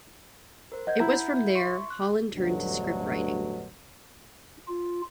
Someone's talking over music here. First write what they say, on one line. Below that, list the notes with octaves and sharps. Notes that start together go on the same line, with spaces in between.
It was from there, Holland turned to scriptwriting.
A#4 C5
D#5 F#5 G6 G#6
E4 E5 A#5
C6 C#6
F#6
A1 D2 G2 B2 F#3 A3
F4